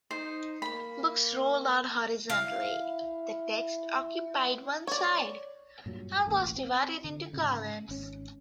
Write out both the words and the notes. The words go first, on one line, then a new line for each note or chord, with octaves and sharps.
Books rolled out horizontally; the text occupied one side, and was divided into columns.
D#4 C5
A#3 B5
E4 F5
C#5 D5
G2 A#2 F#3
E1 A1 A#3
C4
D3
G#2 C#3
G#1 C#4